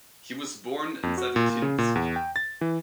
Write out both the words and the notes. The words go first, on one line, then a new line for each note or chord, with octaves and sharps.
He was born in Zavitinsk.
F2
F#4
A#2
A#2
C#3
A#2
E2
G5
A6
E3